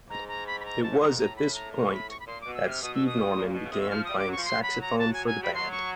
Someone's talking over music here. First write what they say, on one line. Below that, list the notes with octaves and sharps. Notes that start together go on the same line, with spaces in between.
It was at this point that Steve Norman began playing saxophone for the band.
G#2 A#5
A#5
B5
B5
A#5
A5
F#2
G2 A#5
G#2
A2 A#5
B5
A#5
A#5
B5
C#6
B5
A#2 C6
B2 D6
E6
C3 F6
B2 D#6
E6
D#6
A#2
B2
C#3
C3 D#6
E6
F3 F6
D#6
G3
D6
F#3 C#6
F3
F#3 C6
B5
A#5
A5
G#5
G#5
G3 B5
F#3 C6
C#6